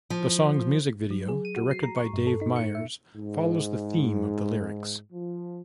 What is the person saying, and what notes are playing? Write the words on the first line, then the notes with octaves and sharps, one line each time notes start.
The song's music video, directed by Dave Meyers, follows the theme of the lyrics.
F3
F#3
G#4
D#7
F#4
C7
A#5
C#6
G2
A4
D#4
C#7
E5
G#2
F3